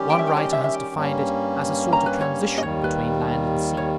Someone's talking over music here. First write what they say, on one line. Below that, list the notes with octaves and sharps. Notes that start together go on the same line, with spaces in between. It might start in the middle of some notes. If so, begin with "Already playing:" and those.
One writer has defined it as a sort of transition between land and sea.
Already playing: D#3 G3 C#4 G4
G5
E5
G5
C#5
D#5
E5
E5
G5
G2 G3 A#3 C#4
A#5
B4
C#5
D#5
D#2 D#3 G3 C#5
B4
C#5